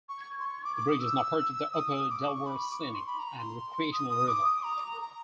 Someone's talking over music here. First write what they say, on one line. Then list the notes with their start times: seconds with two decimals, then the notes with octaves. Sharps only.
The bridge is now part of the Upper Delaware Scenic and Recreational River.
0.09 C#6
0.40 C6
0.46 C#6
0.64 D6
0.76 D6
0.88 D#6
1.00 E6
1.73 D#6
2.10 D6
2.27 C#6
2.46 B5
2.71 D6
2.82 C#6
2.94 C6
3.06 B5
3.19 A#5
3.38 C6
3.92 D#6
4.10 D#6
4.28 D6
4.46 D#6
4.64 A#5
5.01 A#5